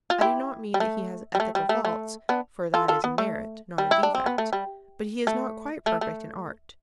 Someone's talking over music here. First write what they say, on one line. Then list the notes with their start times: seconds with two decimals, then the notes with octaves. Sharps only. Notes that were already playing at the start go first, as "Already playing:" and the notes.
I do not mean that he has ethical faults, for that is a merit, not a defect; but he is not quite perfect in art.
0.10 F4
0.21 E4 G4
0.74 G3
0.80 A3
1.35 G3
1.40 A3
1.55 G3
1.69 A3
1.85 A3
2.29 B3 D4
2.74 F4 A4
2.88 F4 A4
3.04 B3
3.18 A3
3.78 G3
3.91 E4
4.03 D4
4.15 C4
4.26 B3
4.38 A3
4.53 G3
5.27 A3
5.86 A3
6.01 A3